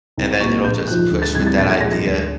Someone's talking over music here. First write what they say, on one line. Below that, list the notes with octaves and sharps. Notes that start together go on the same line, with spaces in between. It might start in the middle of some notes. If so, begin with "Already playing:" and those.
And then it'll just push with that idea,
C2
A#2 F#3 C#6
A#1 G6
G#2 F3 F#6
D2
A6
C3 E3 G3 G#6
A6
A#1 A6
G#6
G#2 F3 G#3 A#6
A#6
D2